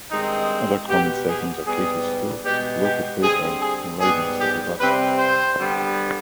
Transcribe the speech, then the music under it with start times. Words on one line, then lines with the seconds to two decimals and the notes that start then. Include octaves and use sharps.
Other common settings are Katie's school, the local playground, and riding the city bus.
0.11 G2 D#3 G#3 C4 D#4
0.89 B2 B3 G4
1.28 G#4
1.67 G#2 G3 B3 G#4
2.45 B2 G#3 B3 G4
2.84 G4
3.23 D3 G3 C4 G#4
3.62 G#4
4.01 G#2 G3 B3 G#4
4.40 G4
4.79 C3 G3 C4 B4
5.17 C5
5.57 D3 G3 B3